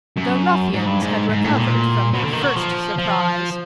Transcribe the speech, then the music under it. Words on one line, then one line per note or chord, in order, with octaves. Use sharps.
The ruffians had recovered from their first surprise.
F#2
G#2
G2
G#2
G#2
A2
A#2
B2
D3
D#3
F#3
F3
F3